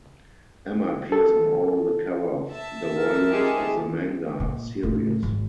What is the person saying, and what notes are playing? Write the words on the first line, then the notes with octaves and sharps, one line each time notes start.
Emma appears on all the cover of the volumes of the manga series.
A4
E5 A5
A#4
G#3 D#4 G4 G#4
A#2
A2
G#1